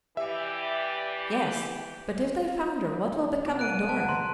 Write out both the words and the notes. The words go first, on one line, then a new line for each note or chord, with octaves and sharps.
"Yes; but if they founder, what will become of Dora?"
E3 G4 D5 E5
B2 D5 D6
F#6 D7 D#7
B4 F#5 A5
A#5 C6